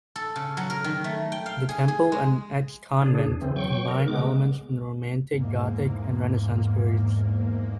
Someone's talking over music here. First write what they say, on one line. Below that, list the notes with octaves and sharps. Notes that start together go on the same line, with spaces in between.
The temple and ex-convent combine elements from the romantic, gothic and renaissance periods.
A4
C#3
F#3
A#4
D#3
A3
G5
F5
G#4
G#4
G#3
C#3 D4 G#4
E2
C#3 E3 C4
F#3 G5 C#6
A#4
C#3 G#3 B3 D6
E2 G#2 A#3